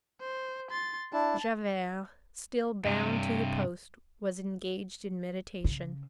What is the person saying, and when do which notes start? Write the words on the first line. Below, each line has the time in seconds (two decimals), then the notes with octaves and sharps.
Javert, still bound to the post, was engaged in meditation.
0.20 C5
0.71 C6 A6
1.13 D4 E4 A5
2.85 G2 C3
5.64 C#3